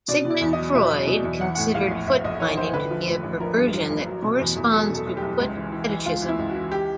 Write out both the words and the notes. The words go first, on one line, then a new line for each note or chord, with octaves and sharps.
Sigmund Freud considered footbinding to be a "perversion that corresponds to foot fetishism".
B2 D5
B2
D5
E2
D#5
F#3
B2 E5
F#3
B2
E2
E3 F#5
A2 F#5
A#1 F5
A#1
A#1 E5
A#1 D#5
E3 C#5
A#1 C5
D3 B4
F3
A1
A1
F3 A#4
G2
F3
A1
F#3
B2
E2
E2
F#3 A4
B2
A4
F#1
G4
F#1
C#2
E3
E3
E3
C#2 F4
E3
E4
C#2
F#4
E3
G4